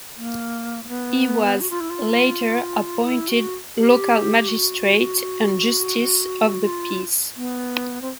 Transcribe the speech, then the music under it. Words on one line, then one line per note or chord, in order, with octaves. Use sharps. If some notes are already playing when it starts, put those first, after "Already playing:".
He was later appointed local magistrate and Justice of the Peace.
A#3
A#3
B3
F#4
F4
E4
F4
E4
F#4
G4
F#4
F4
B3
C4